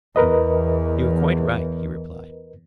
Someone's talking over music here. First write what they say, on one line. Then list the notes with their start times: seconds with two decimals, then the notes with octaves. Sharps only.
You are quite right, he replied.
0.16 E2 A#4 B4 D#5